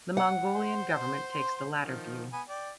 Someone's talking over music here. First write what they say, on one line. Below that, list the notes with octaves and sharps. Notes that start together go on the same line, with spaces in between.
The Mongolian government takes the latter view.
F#5
C5 C6
D#3 F3
B3 G#5
D5 G5